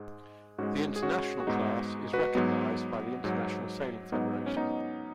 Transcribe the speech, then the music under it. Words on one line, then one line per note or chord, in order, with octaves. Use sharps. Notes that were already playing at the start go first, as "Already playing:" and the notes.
The International Class is recognised by the International Sailing Federation.
Already playing: G#2 G#3
G#2 G#3 C#4 F#4
G#4
C#4 F#4
F#4
G#2 G#3 B3 D#4
F#4 B4
G#2 F#3 B3
G#2 F#3
G#2 F#3 B3 D#4
C#4
B3 D#4